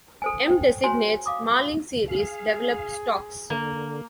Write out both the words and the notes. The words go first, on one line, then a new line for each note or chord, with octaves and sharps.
"M" designates Malling series developed stocks.
A4 C5 G#5
C5 G5
F#4 C5 C#5 G#5 C6
F5 D6 D#6
G#4 F5
D3 A#3